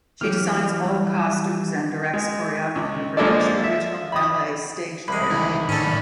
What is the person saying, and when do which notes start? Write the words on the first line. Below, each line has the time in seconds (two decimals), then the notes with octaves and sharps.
She designs all costumes and directs choreography for each original ballet staged there.
0.21 E3 F#3 G4 F6
0.86 G3
2.13 G#3
2.75 C#2
3.17 F3 G#3 A#3 D4 A4 D5
3.64 E5
4.12 B5 D#6
5.08 C2 G#3 B5
5.31 D#3 E3 E4
5.69 A2 D#3 C#4 D4 A4